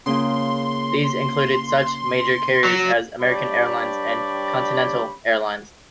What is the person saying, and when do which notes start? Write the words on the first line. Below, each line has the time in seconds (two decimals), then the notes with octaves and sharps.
These included such major carriers as American Airlines and Continental Airlines.
0.06 C#3 A#3 F4 C6
2.65 F#3
3.22 G2 D4 G4 C#5 D5 B5